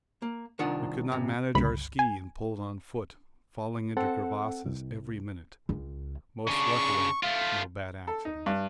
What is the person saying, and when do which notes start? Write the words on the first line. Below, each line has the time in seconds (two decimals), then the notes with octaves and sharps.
We could not manage our ski and pulled on foot, falling into crevasses every minute--most luckily no bad accident.
0.22 A#3
0.59 C2 D#3 D4 F4 F#5
1.12 D2 G#2 C3
1.55 G1 C#2 B5
1.99 G#5
3.97 C4 A4 F#5
4.66 C2
5.69 C#2
6.47 C#3 D4 C#6
7.23 A3 F4 F5
8.07 A4
8.25 D#4
8.46 G2